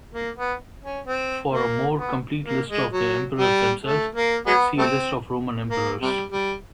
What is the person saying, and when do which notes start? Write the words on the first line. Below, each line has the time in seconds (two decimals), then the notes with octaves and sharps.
For a more complete list of the Emperors themselves, see List of Roman Emperors.
0.14 A#3
0.37 B3
0.84 C#4
1.07 C4
1.53 A#3
1.99 B3
2.46 A#3
2.69 G#3
2.92 F#3
3.39 G3
3.85 A3
4.16 A#3
4.46 F#3 G#3 B3
4.78 G3 A3 C4
5.71 A#3
6.02 C3 G3
6.32 G3